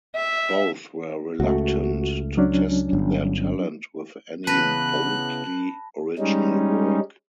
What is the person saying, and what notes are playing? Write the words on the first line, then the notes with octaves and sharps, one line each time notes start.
Both were reluctant to test their talent with any boldly original work.
E5
C#2 A3 F#4
F#3 C#4 D4
G1
C#3 E3 B3 B4 A5 B5 F#6 A#6
G3 G#3 C#4 D#4